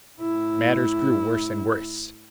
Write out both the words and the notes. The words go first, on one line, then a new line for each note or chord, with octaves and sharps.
Matters grew worse and worse.
A2 E4